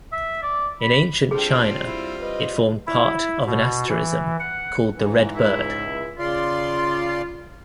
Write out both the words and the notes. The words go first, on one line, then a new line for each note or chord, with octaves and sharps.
In ancient China it formed part of an asterism called the "red bird".
E5
D5
B5
G3 C4 D4 F4 G#4 G5
E4
B4 D#5
E4
B2
E3
F#5
G#2 E3
C#2 E4 E5
C#3 F4 D5 C6